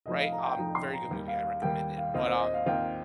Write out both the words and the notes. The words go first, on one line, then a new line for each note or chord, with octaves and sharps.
right? Um, very good movie, I recommend it. But, um,
F1 F2 F3 D#4 D#5
F5
A#5
G5
F1 F2 F3 D#4 A#5
C6
A#5
D#2 D#3 G3
F5
F5
D#2 D#3 G3 G5
F5
D#2 D#3 C4 F4 D#5
C5
D#5
F5
D#2 D#3 C4 F4 G5